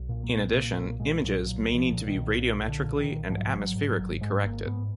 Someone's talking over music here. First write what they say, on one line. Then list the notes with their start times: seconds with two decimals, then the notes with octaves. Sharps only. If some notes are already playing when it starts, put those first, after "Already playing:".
In addition, images may need to be radiometrically and atmospherically corrected.
Already playing: B1
0.09 A#2
0.24 A#3
0.31 B1
0.43 B3
0.54 A#2 A#3
0.77 B1 A#3
1.00 A#2 G#3
1.23 B1 F#3
1.46 A#2 F#3
1.69 B1 D#3
1.77 F3
1.92 A#2
2.07 D#3
2.15 B1
2.38 A#2
2.60 B1
2.68 D3
2.83 A#2
2.99 D#3
3.06 B1
3.29 G#2 F3
3.37 F#3
3.45 F3
3.52 G#1
3.60 F#3
3.75 G#2
3.90 F#3
3.98 G#1
4.21 G#2 G#3
4.37 G#3
4.43 G#1 A#3
4.66 G#2 B3